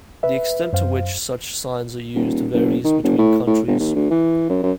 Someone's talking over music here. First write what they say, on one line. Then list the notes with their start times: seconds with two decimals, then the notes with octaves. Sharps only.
The extent to which such signs are used varies between countries.
0.23 B4 E5
0.73 F#2 C5 F5
2.15 D#1
2.54 F#1
2.84 D#3
3.04 F#1
3.18 A2
3.47 A2
3.67 G1
3.80 D#2
3.95 D2
4.11 E3
4.50 F#2
4.63 F#2